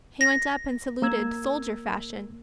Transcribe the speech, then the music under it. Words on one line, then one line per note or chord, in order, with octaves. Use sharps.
He went up and saluted, soldier-fashion.
A#6
A#3 A#4 E6 G#6